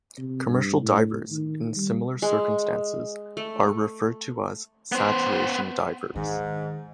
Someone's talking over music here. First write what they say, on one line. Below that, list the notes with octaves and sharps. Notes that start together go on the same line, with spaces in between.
Commercial Divers in similar circumstances are referred to as Saturation Divers.
C3
G2
A2
D#3
G3
G#3
A3
B3 C5
G#2 D#3